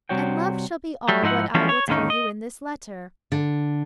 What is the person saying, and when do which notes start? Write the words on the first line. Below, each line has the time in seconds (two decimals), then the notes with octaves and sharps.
And love shall be all what I will tell you in this letter.
0.09 C3 G3 F#4 C#5 G5
1.09 F#3 G3
1.23 G#2 F3 D#4 E4 F#5
1.54 E3 F3 G3 G#3 B3 C#4
1.69 C#5
1.88 D#2 G#2 D3 D#3 C#4 D#4
2.10 D#5
3.32 D3